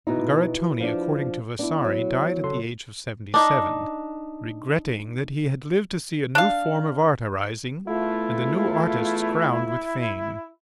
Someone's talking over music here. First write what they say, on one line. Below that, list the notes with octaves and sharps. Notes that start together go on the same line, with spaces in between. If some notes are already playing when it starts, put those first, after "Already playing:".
Margaritone, according to Vasari, died at the age of seventy-seven, "regretting that he had lived to see a new form of art arising and the new artists crowned with fame."
B2 D#4 E4 F#4 B4
F3 D4
B3 D4 E4
F#3
C#3 A4 C6
D4 D#4
D4 F5
E2 A3 E4 F4